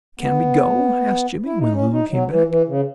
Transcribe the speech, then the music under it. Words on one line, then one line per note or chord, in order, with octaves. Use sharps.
"Can we go?" asked Jimmie, when Lulu came back.
B3
E4
D#4
C#4
D#4
F#3
E3
E3
C#3